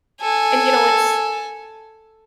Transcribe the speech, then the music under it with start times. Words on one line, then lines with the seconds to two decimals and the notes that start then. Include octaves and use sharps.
and you know, it's
0.21 A4 G#5